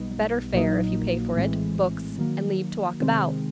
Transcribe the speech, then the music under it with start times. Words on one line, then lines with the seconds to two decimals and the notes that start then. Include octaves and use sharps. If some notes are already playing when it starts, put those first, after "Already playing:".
"Better fare, if you pay for it, books, and leave to walk about."
Already playing: B1 B2 G3 B3 D#4
0.53 A#1 A#2 F#3 A#3 D#4
1.35 A#1 A2 E3 G#3 C4
2.18 D#3 F#3 A#3
3.00 C3 D#3 G#3 C4